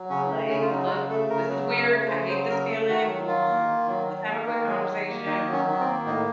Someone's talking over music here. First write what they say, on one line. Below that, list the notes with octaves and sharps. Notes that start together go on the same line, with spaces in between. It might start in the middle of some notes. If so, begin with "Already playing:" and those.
like, "Look, this is weird, I hate this feeling, L let's have a quick conversation. W
Already playing: F#3
C#3 C#4
A3
C#3 C#4
F4
F#3 D#4
F4
C#3 F#4
A3 A4
C#3 A#4
F#3
C#3 A#4
A3
C#3 C5
F#3 C5
C#3 A#4
A3 A4
D#3 F#4
F#3
D#3 F4
A#3
D#3
F#3
D#3
A#3
D#3
F#3
D#3
A#3
D#3 D#4
F#3
C#4
D#3
C4
A#3
A2 D#4